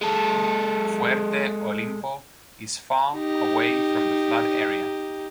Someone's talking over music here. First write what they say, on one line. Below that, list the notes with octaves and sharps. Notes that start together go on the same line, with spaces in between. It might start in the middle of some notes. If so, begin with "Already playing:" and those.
Fuerte Olimpo is far away from the flood area.
G#3 A4
D#4 G4